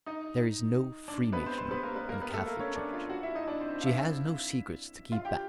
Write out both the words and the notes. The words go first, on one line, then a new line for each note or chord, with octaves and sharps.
There is no Freemasonry in the Catholic Church; she has no secrets to keep back.
D#4 D#5
D4 D5
B3 B4
C4 C5
C4 C5
B3 B4
A#3 A#4
B3 B4
A#3 A#4
B3 B4
A3 A4
A#3 A#4
C#4 C#5
D4 D5
F4 F5
F#4 F#5
E4 E5
D#4 D#5
D4 D5
C4 C5
F5
E4 E5
F4 F5
G4 G5